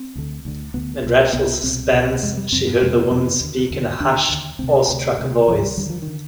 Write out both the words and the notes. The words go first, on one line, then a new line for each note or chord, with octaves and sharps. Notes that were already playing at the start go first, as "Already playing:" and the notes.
In a dreadful suspense she heard the woman speak in a hushed, awestruck voice.
Already playing: C4
D2 D3
D2 D3
D2 D3 B3
C2 B2
C2 B2 B3
C2 B2 C4
C2 B2
F2 C3 G#3
G3
F2 C3 C4
B3
F2 C3 G#3
B3
F2 C3 B3
D#2 D3
D#2 D3
D#2 D3 D4
D#2 D3
D2 C3 C4
D2 C3
D2 C3
D2 C3 F3
G3
D#2 D3 G3
F3
D#3
D3